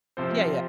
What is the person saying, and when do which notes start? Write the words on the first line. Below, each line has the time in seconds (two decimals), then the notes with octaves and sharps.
Yeah, yeah.
0.17 C3 F3 C4 C5